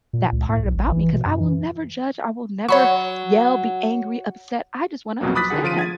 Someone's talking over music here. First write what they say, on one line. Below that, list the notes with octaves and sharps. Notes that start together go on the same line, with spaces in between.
that part about me, 'cause I will never judge, I will never yell, be angry, upset. I just wanna understand.
A#2
C#2
A2
B1
A1
E3
B2
F#2
E3
F#3 C#5 B5 C#6
C2 F2 B2 F#3 A#3
B5 D6 D#6 F#6 A6 B6
D3 D#3 G#4 F#5
C#3 F3 F4 D7 D#7
G#6 A6